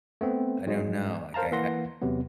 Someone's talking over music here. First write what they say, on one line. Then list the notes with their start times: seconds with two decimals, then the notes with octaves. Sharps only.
I don't know, like, I
0.21 A3 B3 C4
0.67 G#2 F#3 G#3
1.34 A#4 C5 F5 A5 A#5
1.52 E3 A#3 F#5 C6 A#6
2.01 E2 C3 F#3 B3